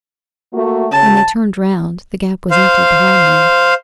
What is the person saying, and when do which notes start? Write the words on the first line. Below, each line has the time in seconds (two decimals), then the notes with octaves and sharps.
When they turned round The Gap was empty behind them.
0.54 A3 A#3 F#4
0.92 C#3 F#3 A5
2.51 C5 F5